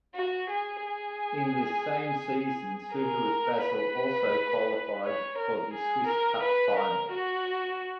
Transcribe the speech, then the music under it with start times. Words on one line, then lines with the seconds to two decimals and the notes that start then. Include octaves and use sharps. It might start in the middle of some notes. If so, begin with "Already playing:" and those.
In this same season Suter with Basel also qualified for the Swiss Cup final.
0.15 F#4
0.50 G#4
0.85 G#4
2.95 A#4
3.64 B4
5.04 C#5
5.38 A#4
5.74 G#4
6.08 A#4
6.43 B4
6.78 A#4
7.13 F#4